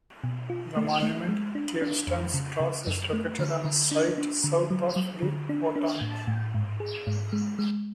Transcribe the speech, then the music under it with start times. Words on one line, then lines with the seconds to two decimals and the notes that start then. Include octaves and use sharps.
The monument "Gaveston's Cross" is located on a site south of Leek Wootton.
0.24 B2
0.50 F4
0.76 A3
1.02 A3
1.29 G#3
1.55 D4
1.82 D4
2.07 F2
2.34 C#3
2.60 C#3
2.87 F#2
3.13 A3
3.39 D3
3.65 D3
3.91 D4
4.18 D4
4.44 D3
4.70 F#3
4.96 F#3
5.23 D3
5.49 D4
5.76 D4
6.01 A2
6.27 A2
6.54 G#2
6.80 G#4
7.07 G#2
7.33 G#3
7.59 G#3